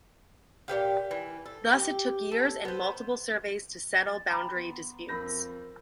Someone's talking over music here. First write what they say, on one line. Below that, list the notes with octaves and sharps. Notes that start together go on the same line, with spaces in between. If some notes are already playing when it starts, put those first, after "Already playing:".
Thus it took years and multiple surveys to settle boundary disputes.
A#2 B3 G4 F5
E3
A4
G4
A4
B3 C5
A6
G5 A#5 B5 D6
B3 C6
F2 A#4 B5 G6 A#6